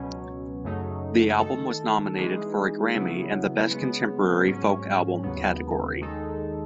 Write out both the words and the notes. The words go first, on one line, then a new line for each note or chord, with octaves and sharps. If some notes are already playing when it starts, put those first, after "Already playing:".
The album was nominated for a Grammy in the Best Contemporary Folk Album category.
Already playing: C#2 B2 F#3 C#4
F#2 C#3 F#3 A3 D#4
D#3 A3 D#4 A4
E3 G#3 D#4 G#4
C#3 F#3 B3 E4
C#3 G#3 B3
G#2 F#3 C#4
D#2 C#3 F#3 B3
D#2 D#3 G#3 D#4 A4